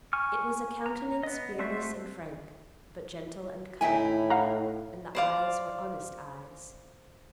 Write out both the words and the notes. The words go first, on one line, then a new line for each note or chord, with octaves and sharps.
It was a countenance fearless and frank, but gentle and kind, and the eyes were honest eyes.
G#5 C#6 F6
A#5
B3 D#5
A3 C4 F#4 C5 E5
A2 D#4 E4 E5 G5 G#5
F5 F#5 A#5
C5 D5 F5